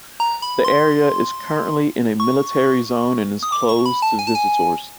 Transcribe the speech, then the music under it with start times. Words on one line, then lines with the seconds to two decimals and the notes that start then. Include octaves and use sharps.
The area is currently in a military zone and is closed to visitors.
0.20 A#5
0.42 B5
0.65 C6
2.20 C#6
3.43 D#6
3.52 D6
3.69 C#6
3.86 B5
4.02 A5
4.19 G#5
4.27 A5
4.35 G#5